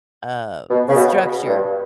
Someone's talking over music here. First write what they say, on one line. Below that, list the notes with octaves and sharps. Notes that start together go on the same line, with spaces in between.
uh, the structure
B2
C#3
B2
G2